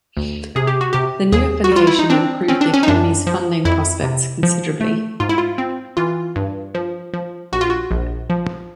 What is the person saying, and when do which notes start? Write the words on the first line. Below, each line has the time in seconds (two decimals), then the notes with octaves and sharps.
The new affiliation improved the Academy's funding prospects considerably.
0.17 D2
0.56 C3 G#4
0.67 G4
0.81 F#4
0.93 C3 G4
1.32 D#2 G#4
1.64 F#4
1.72 G3 F4
1.87 E4
1.99 D#4
2.10 C4 D4
2.48 C4 C#4
2.61 D4
2.74 C#4
2.83 D#4
2.88 F#2 D4
3.27 F3
3.65 F2 E4
4.03 C3
4.43 F3
4.81 A3
5.20 G#2 F4
5.29 E4
5.38 F4
5.58 C4
5.97 E3 F4
6.36 G2
6.75 F3
7.14 F3
7.52 A#1 F#4
7.61 F4
7.70 F#4
7.91 A#1
8.30 F3